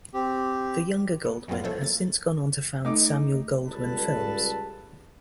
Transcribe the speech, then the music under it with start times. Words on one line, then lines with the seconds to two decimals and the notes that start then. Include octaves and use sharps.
The younger Goldwyn has since gone on to found Samuel Goldwyn Films.
0.14 C4 G4
1.25 B3
1.48 F#2 F#3 G3 B3 F4
1.64 C#3 F3 E4 A4 C5 C#5
1.81 A#3 A6
2.85 A3 D#4 D6
3.67 C#2 C#3 G3 A4 B4 A5